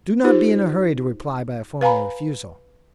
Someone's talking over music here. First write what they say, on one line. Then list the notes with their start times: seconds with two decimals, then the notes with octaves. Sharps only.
Do not be in a hurry to reply by a formal refusal.
0.24 D#4 F4 G4 C5
1.81 B4 F5 G#5 A#5 B5